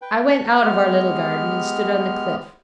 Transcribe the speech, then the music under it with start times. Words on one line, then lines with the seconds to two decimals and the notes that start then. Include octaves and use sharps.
I went out of our little garden, and stood on the cliff.
0.02 B4 G5
0.27 A5 F#6
0.62 G#3 B3 G4 F6